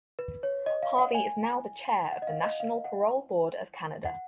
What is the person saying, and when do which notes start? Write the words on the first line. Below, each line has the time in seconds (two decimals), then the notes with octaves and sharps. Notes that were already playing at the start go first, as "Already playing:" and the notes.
Harvey is now the Chair of the National Parole Board of Canada.
0.19 B4
0.43 C#5
0.66 D#5
0.82 F5
0.99 F#5
1.15 G#5
2.12 F#5
2.22 D#5
2.27 F5
2.43 D#5
2.60 F5
2.84 F#5
4.05 F#5